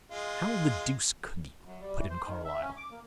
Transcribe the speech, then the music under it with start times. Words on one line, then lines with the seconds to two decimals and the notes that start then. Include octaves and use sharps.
"How the deuce could you?" put in Carlyle.
0.11 G#3 F4
1.64 F#2
1.81 G3
1.97 E3
2.10 C5
2.26 D#3
2.45 E5
2.61 C#4
2.77 D6
2.91 A#3